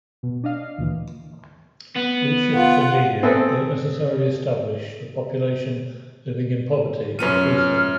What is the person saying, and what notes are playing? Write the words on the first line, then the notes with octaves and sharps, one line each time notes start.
These shifts in media don't necessarily establish the population living in poverty decreasing.
B2
D4 D#5 F5
D2 A#2 E3
B3
F4 F#5
C4 G#4 A4 B4
F#2 F3 C#4 B4 C#5 F6 D#7